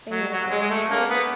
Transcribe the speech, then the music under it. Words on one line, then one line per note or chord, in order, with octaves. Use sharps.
Then you're not really sorry.
F#3
F#3
G#3
G#3
A3
A#3
B3